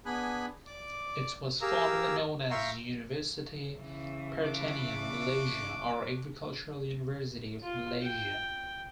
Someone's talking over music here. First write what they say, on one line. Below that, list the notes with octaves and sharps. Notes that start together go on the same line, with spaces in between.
It was formerly known as Universiti Pertanian Malaysia or Agricultural University of Malaysia.
B3 D4 G#4 G#5 B5 F#6
D5 D6
G4 G#4 A#4 F5 A#5 E6
E5 F5 G5 A#5 C6 C#6
C#3 E3
D4 C#6 D6
F4
G5